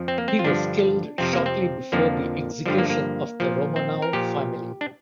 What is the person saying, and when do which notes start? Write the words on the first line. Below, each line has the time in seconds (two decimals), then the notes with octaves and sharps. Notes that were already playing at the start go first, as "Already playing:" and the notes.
He was killed shortly before the Execution of the Romanov family.
Already playing: F2 F3
0.08 C4
0.18 A#3
0.28 C4
0.39 F4
0.44 G2 D3 F3 D4
1.18 F2 C3 F3 C4
1.33 A#3
1.46 C4
1.92 F2 D3 F3 A#3
2.66 G2 D3 F3 G3
2.78 A#3
2.90 A#3
3.40 A#2 F3
3.76 C4
4.02 A#4
4.13 A#2 F3 G4
4.81 D4